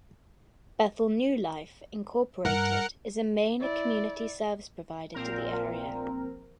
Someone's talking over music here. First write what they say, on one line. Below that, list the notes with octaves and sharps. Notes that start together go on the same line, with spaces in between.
Bethel New Life, Incorporated is a main community service provider to the area.
G2 A#4 F#5
E4 D5
A#1 A#2 C4 A#4